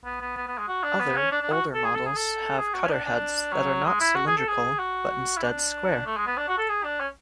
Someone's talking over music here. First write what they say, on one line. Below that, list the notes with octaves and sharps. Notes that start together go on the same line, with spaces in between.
Other, older, models have cutter heads that are not cylindrical but instead square.
B3
B3
B3
B3
G#3
F#4
D4
B3
C#4
D4
D4
F#4
A4
G#4
A4
G#4
A4
G#4
F#4
C#4
D4
D4
F#3
G#3
E4
F#4
G#4
A4
G#4
F#4
E4
D4
A3
G#3
B3
D4
F#4
A4
G#4
D4
C#4